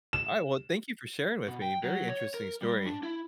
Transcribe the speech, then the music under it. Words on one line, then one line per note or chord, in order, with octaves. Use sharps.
Alright, well, thank you for sharing with me, very interesting story.
E7
B2
G5
F#3
C#5
A#4
G3
D4
E4